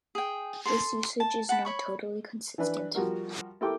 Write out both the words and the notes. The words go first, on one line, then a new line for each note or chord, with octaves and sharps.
This usage is not totally consistent.
G#4 G5
A4 C6
A5
F#5 A5 B5
C#5 B5 C#6
E3 D4 B4
F3 G3 F#4 A#4
E4 G4 A4 A#4 G5 D6